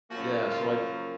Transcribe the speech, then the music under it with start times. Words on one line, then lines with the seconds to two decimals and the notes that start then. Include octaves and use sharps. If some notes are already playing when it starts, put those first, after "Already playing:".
yeah, so, I t
0.10 F#2 C#3 F3 A#3 F#4
0.50 F4